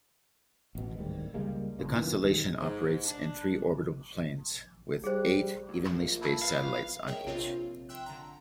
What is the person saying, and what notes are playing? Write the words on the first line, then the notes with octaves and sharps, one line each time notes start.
The constellation operates in three orbital planes, with eight evenly spaced satellites on each.
A1 B2
D1 G#2 D#3 G3
C#2 G3 G#3 A#3
F#1 C2 C#3 A#3
F#2 A#2 D#3 E3
B1 F#2 D#3 G#3
G#2
D4
G3 G#4 C5
D2
F3 A3 A#3
E4 A4
B4 F5
E2 F3
G#4 A#4 C#5 D#5 E5 G5
A#1 C3 C4 F4 C#5
E5 G5 C6 E6 F#6
D3 A#5